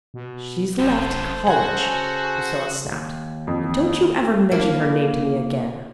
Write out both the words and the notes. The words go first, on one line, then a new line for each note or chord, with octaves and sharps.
"She's left college," Priscilla snapped, "and don't you ever mention her name to me again."
B2
F1 F#2 A2 A4 C5
C#3 F#4 F#5 G#5
D#2
F2
A#3 D4 E4